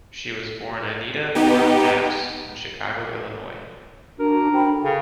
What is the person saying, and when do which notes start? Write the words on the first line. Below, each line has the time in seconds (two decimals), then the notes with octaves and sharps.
She was born Anita Borg Naffz in Chicago, Illinois.
1.35 B3 D#4 G4
4.20 D4 F#4 A#4
4.54 C5 G5 B5
4.68 A4
4.84 C#3